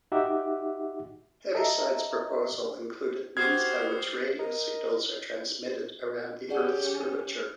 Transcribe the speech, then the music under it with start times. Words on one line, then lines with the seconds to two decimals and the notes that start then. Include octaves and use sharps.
Heaviside's proposal included means by which radio signals are transmitted around the Earth's curvature.
0.12 D#4 F#4 G4 E5 F#5 D6
1.55 A4 D#5 E5 A#5
3.37 F#4 G4 C5 D#6 F6 G#6 C7
4.39 A#4 D#5
6.49 C#4 G4 G#4 D5 F#5